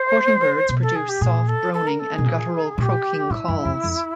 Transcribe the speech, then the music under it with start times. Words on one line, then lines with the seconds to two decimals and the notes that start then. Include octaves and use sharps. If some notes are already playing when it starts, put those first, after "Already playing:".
Courting birds produce soft droning and guttural croaking calls.
Already playing: C5
0.69 B2
0.82 A4
0.95 G#4
1.09 G4
1.21 A#2 G#4
1.48 A4
1.73 A4
1.87 A#4
1.99 A4
2.13 G#4
2.18 B2
2.25 A#2
2.78 A#2 G#4
2.82 G4
3.30 A2 E4
3.48 F#2
3.65 F2
3.84 F2